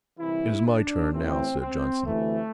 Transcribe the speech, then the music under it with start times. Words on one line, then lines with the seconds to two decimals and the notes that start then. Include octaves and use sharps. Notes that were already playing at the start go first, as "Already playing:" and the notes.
"It is my turn now," said Johnson.
0.19 C2 C3 E3 E4
0.66 D4
1.12 A1 A2 E3 C4
1.60 C4
2.05 D2 C3 E3 A3